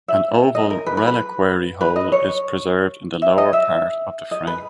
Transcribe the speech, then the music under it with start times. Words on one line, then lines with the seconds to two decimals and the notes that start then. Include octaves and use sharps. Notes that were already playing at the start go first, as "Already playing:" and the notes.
An oval reliquary hole is preserved in the lower part of the frame.
0.08 E5
0.55 D#5
0.70 A#4
0.86 B4
0.97 B4
1.07 B4
1.81 B4
1.96 D#5
2.12 C#5
3.22 E5
3.38 D#5
3.53 E5
4.31 D#5
4.47 B4